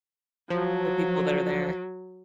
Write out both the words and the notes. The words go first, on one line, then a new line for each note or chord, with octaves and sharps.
The people that are there.
F3 F#3